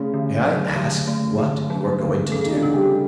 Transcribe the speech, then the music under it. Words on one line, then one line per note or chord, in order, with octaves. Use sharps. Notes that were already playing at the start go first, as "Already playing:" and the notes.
"May I ask what you are going to do?"
Already playing: C#3 A3 C#4
D3
F#3
D3
A3
D3
F#3
D3
C#3 C#4 A4
D#4
D3 D4
C#4
G3 G4